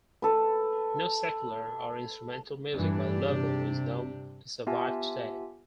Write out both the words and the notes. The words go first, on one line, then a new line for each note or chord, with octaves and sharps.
No secular or instrumental music by Lobo is known to survive today.
A4 B4
G2 E3 D4 G4
C3
B3 F4 G4 E5 G#5 A5